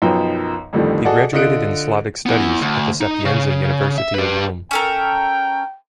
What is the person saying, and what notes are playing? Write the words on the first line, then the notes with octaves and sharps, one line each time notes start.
He graduated in Slavic Studies at the Sapienza University of Rome.
B1 F#2 F3 D#4 B4 G5
F2 A2 D3 D#3 F3 G3
F#4 G#4 A4 D5 D#5 F#5
D3 F4 D#5 F#6 C#7 D7
B3 E4
D2
D#4
C#3
E5
G4 B4
C#4 A4 A#4 G5